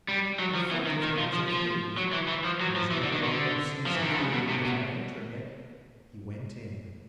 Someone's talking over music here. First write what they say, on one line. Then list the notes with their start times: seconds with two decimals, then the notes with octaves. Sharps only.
In front of him was a cave, and, as no boy ever sees a cave without entering it, he went in.
0.08 G3
0.39 F#3
0.55 F3
0.71 E3
0.87 D#3
1.03 D#3
1.18 F3
1.34 F3
1.49 F3
1.97 F#3
2.13 E3
2.28 E3
2.45 F3
2.61 F#3
2.76 F3
2.91 E3
3.03 D3
3.13 D#3
3.24 D3
3.86 F3
3.95 E3
4.02 D#3
4.11 D3
4.18 C#3
4.33 B2
4.49 C3
4.65 B2